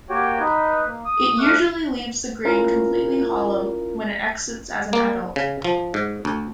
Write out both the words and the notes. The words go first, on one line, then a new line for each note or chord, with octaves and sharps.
It usually leaves the grain completely hollow when it exits as an adult.
A#3 F#4 G4 C#5 G5
D#4 B4
A#3
D#6
F2 A3 C#6 D6 F6 F#6
C#4 E4 F4 A#4
A#3
C#3
F3
G#2
D2